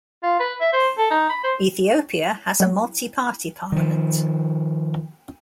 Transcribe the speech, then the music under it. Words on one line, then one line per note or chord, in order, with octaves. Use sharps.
Ethiopia has a multi-party parliament.
F4
B4
E5
C5
A4
D#4
B5
C5
F#3
D#3 F3